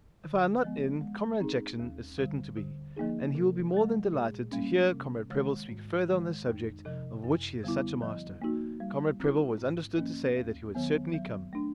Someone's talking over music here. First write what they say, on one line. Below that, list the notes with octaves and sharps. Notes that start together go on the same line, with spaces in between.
If I am not in, Comrade Jackson is certain to be, and he will be more than delighted to hear Comrade Prebble speak further on the subject of which he is such a master.' Comrade Prebble was understood to say that he would certainly come.
D3
F3 G#3 B3
G#3
C4 D#4 G#4
D#2
D3 G3
D3
F3 A#3 D#4 G#4
C3
F3 G#3
A#2
G3 A#3 C#4
C3
D#3 G#3
G#2
D#3 G#3
F2
C3 F3
F#2
D3 G3 B3 E4
F3
A#3 D#4 F#4
G3
C4 E4
G#2
F3 A#3 C#4
D#2
D#3 F#3 B3
F#3
A3 D4